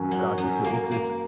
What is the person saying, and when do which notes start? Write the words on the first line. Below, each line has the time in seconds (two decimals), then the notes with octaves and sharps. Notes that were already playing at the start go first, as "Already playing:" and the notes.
Gotcha. So is this
Already playing: F#2 D#3
0.11 F#3
0.38 F#2
0.64 A#3
0.91 A#3